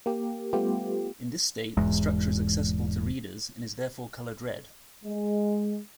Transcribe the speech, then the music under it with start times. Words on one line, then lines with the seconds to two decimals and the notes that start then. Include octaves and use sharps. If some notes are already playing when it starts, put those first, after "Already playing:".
In this state, the structure is accessible to readers, and is therefore colored red.
0.06 A#3 G4
0.53 G3 A3 B3 F4 G4
1.77 E1 E2 G#2 G#3
5.05 G#3